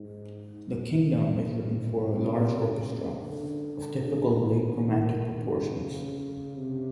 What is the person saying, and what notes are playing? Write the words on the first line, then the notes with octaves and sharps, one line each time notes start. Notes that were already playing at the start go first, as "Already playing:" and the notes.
"The Kingdom" is written for a large orchestra, of typical late Romantic proportions.
Already playing: G#2
B2
C3
C#3
D3
D3
D#3
D#3
C#3
C3